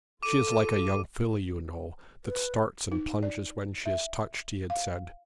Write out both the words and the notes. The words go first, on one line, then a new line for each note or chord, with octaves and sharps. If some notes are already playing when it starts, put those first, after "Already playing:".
'She is like a young filly, you know, that starts and plunges when she is touched,' he had said.
F4 A4 D6 D#7
B4
D#4
D5
E5
F5